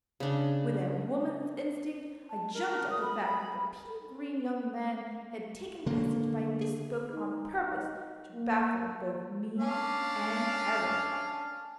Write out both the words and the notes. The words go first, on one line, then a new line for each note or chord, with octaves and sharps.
With a woman's instinct, I jumped at the fact that the pea-green young man had taken passage by this boat, on purpose to baffle both me and Harold.
C#3 D4
A5
A#4
D#6
B5
D3 A#3
D#4
A#3
C#4 D4 F5